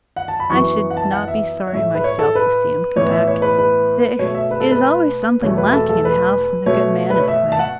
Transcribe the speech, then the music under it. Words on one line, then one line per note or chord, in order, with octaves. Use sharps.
'I should not be sorry myself to see him come back--there is always something lacking in a house when the good man is away.'
F#5
A5
B5
F#2 E3 B3 C#6
F#5
A5
F#5
E5
C#5
A2 A3 E5
B4
C#5
A4
B4
A2 E3 B3 C#5
E5
C#5
B4
B4
B2 A3 C#5
E5
B4
A4
B4
E2 B2 A3 C#5
B4
A4
A4
B4
B2 A3 C#5
B4
C#5
E5
A5
F#5